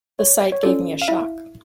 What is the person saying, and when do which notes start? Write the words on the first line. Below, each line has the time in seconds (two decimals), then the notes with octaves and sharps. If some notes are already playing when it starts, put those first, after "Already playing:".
The sight gave me a shock.
0.19 C#5
0.52 C#5
0.63 C#4 F4 A4 D5
1.02 F5
1.08 E4 E5